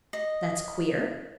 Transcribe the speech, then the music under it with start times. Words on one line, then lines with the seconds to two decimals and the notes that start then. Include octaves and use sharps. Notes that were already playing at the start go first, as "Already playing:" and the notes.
"That's queer."
0.13 D#5